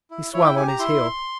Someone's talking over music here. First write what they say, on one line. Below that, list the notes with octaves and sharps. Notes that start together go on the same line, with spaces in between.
He swung on his heel.
E4
E4 C#5
G5
G4 G#5
A#5
E4 C6